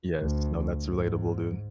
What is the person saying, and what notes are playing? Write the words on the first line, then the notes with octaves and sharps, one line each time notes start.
yes, no, that's relatable, dude.
D2
G#2